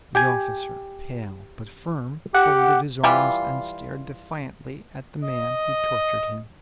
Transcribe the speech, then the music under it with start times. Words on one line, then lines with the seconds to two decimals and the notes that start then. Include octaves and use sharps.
The officer, pale, but firm, folded his arms and stared defiantly at the man who tortured him.
0.15 G4 G5 G#5
2.34 G4 F#5
3.04 E3 G3 F4
5.23 D#5